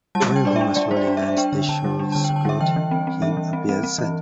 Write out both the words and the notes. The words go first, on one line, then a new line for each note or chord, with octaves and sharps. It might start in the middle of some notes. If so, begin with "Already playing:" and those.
While Homer slowly learns the show's plot, he appears sad.
G3 A5
G3
G5
D4 D5
E5
D4
G3 D5
G3 C5
D5
D4
E5
D4
E5
D4 G5
D3
D3 A5
G3
D4
D3 A5
G5
D3
A5
G3 E5
E3 G5
E3
C4
C4
E3 E5
E3
C4
C4
C4
E3